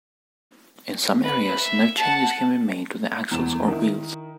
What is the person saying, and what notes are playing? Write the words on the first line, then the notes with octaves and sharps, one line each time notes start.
In some areas, no changes can be made to the axles or wheels.
B4
E5
F#5 A5
E2 E7
D#3 E4